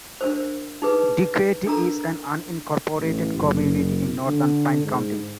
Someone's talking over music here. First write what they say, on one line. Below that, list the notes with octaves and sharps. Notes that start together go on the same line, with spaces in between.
Duquette is an unincorporated community in northern Pine County.
D4 A#4 C5
D#4 G#4 B4
D4 A4 A#4 A#5
A1
F#1
D3
G#2